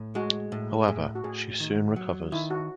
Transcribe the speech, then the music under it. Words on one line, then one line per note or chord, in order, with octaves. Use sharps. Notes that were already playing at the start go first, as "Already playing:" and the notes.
However, she soon recovers.
Already playing: A2
G#3 F#4
A2
A2 G#4
F#4
A2 G#4
D#3
F#3
D#3 E4
F#4